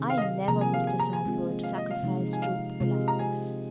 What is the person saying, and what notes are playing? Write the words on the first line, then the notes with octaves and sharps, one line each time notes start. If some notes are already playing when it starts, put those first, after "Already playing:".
"I never, Mr. Sandford, sacrificed truth to politeness."
Already playing: C3 D#3 C4 G#4
F5
D#5
F5
C3 F3 A#3 G#4 A#5
G#5
F5
G#5
A#5
G#5
G#3 C4 F4
F5
D#5
F5
C3 F3 G#3 D#4
G#5
F5
C3 G#3 F4
A#5
G#5